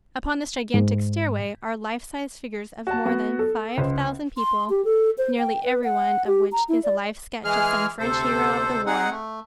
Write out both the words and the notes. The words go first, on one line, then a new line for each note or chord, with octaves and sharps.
Upon this gigantic stairway are life-size figures of more than five thousand people nearly everyone of which is a life sketch of some French hero of the war.
G#2
F#4 A5
B3 F#4
A4
C#2 C5
C6
G4
A4
C5
G5
B4
F#5
G4
A#5
E4
D5
E3 G#3 G#4 F6
D2 C3 A4 C5
C4 D#4 G#4 F#5
A3